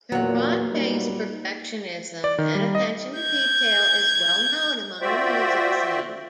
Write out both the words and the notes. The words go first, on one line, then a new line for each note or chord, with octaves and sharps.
Karate's perfectionism and attention to detail is well known among the music scene.
E2 A#2 F#3 A#3 F#5
A#2 G3 D#4
D5
D#3
G3
D#5
G6 G#6
F4 F#4 C5 D5 E5 G5